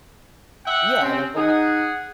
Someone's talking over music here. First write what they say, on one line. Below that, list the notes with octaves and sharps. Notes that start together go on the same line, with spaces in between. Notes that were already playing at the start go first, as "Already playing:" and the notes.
yeah, like when you
E5 F#5 G5
C3 C4 C#4
D#4 G#4 F#5